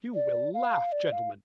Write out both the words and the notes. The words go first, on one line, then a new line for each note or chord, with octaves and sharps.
You will laugh, gentlemen.
D5
F5
D5
F5